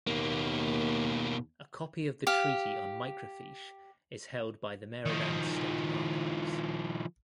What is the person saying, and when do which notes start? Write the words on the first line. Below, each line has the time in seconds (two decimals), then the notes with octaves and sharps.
A copy of the treaty on microfiche is held by the Maryland State Archives.
0.07 D#2 B2 A#3
2.27 G4 F5
5.06 D#3 F3